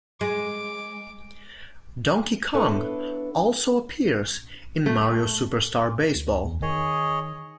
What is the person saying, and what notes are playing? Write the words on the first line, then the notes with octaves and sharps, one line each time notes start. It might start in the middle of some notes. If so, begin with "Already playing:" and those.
Donkey Kong also appears in "Mario Superstar Baseball".
G#3 D6
B3 D4 E4 A4 B4 C#5
A3
D2
E2
D#3 G#4 C#5 D#5